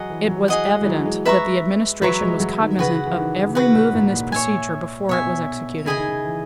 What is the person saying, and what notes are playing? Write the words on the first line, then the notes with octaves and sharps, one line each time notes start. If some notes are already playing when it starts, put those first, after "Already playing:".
It was evident that the Administration was cognizant of every move in this procedure before it was executed.
Already playing: F#3 G#4 D#5 F#5
E3
F#3
G#4 D#5 F#5
G#3
E3
F#3
G#3
B4 E5 A#5 C#6
F#3 B4 E5 A#5 C#6
G#3
F#3
D#3
C#3 F#4 B4 F#5
E3
D#3
C#3
D#3 F#4 B4 F#5
A#2
G#2
A#2
C#5 E5 G#5
B2 C#5 E5 G#5
C#3 E4 G#4 D#5 G#5
D#3
C#3
E3